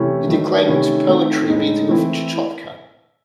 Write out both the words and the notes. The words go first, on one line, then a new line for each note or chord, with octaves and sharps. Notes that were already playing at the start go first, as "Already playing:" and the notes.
He declaimed poetry, beating off a chechotka.
Already playing: C3 E3 A3 C#4 E4
D#3 F#3 A3 D#4
C3 D#3 A3 C#4 E4
D#3 A3 C4
A2 G#3 D#4
E3 A3 C4 E4